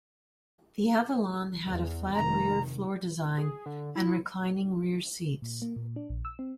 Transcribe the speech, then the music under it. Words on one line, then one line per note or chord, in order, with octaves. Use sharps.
The Avalon had a flat rear floor design and reclining rear seats.
E2
F1 D#3 A#5
G#4
D3
E4
A#2
A#3
A#2
D4
A#1
E6
C4